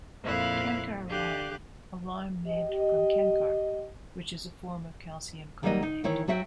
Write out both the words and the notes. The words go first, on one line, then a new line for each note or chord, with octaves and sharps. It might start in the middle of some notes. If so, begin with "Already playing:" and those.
Kankar lime, a lime made from kankar which is a form of calcium carbonate.
F2 A#2 E4 F5 F#6
D3 G4 F5 F#6
G4 D#5
D#3 F#3 G3 A#3 C#5 D#5
D#4
D#3 E3 E4 C#5
F#3 F#4 E5 F#5 G5